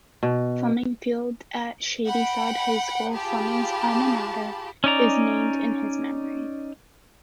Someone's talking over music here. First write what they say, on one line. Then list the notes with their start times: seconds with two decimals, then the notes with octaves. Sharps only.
Fleming Field at Shadyside High School, Fleming's alma mater, is named in his memory.
0.23 B2
2.05 F#5 G5 B5
3.11 F4 G4 G#4 A5 B5
4.84 C#4 D#4 D5 A#5